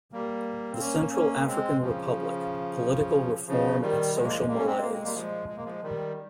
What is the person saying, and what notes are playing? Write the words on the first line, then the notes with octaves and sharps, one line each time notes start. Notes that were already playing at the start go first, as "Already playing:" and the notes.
The Central African Republic: Political Reform and Social Malaise.
G3 A#3
C4
A#3 C#4
A#3 C#4
G#3 C4
C#3 F3
C#3 F3
D#3 G3
F3 G#3
A#3
F3 G#3
G3 A#3
C#4
G#3 C4
A#3
G#3
G3 A#3
F3 G#3
G#3
A#3
F3 G#3
D#3 G3